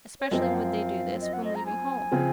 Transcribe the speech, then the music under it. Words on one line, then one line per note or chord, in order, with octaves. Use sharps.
Especially would they do this, when leaving home.
C#5
F#2 F3 C4 D#5
F5
F#5
F5
D#5
F#5
D#5
A#5
G#5
C#3 F3 C4